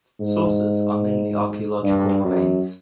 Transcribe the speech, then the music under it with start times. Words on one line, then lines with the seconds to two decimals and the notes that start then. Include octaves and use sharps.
Sources are mainly archaeological remains.
0.20 G#2
1.84 G2
2.25 F#2